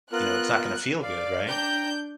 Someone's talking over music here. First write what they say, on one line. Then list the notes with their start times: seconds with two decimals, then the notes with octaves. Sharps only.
you know, it's not gonna feel good, right?
0.12 B3 F4 A#4 F#6
1.02 D5 F5
1.49 D4 G5 A#5 G6